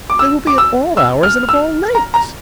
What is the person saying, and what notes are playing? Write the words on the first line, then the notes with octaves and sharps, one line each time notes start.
They will be at all hours, and of all lengths.
D6
E6
D6
E6
E6
F6
E6
A#5
A#5